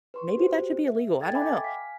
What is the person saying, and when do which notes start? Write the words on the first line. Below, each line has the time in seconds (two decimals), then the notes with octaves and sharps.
maybe that should be illegal, I don't know,
0.14 B4 C6 C#6
0.35 F#4 G4 C5
0.87 E5
1.20 A4 G5 G#6 A6
1.33 D#5 E5 G5 G#5 B5 D6
1.64 F5 G#5 B6